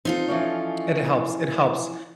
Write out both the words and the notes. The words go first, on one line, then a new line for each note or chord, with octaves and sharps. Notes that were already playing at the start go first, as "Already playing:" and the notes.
it helps it helps
C4 D#4 F4 A4
E3 F3 C#4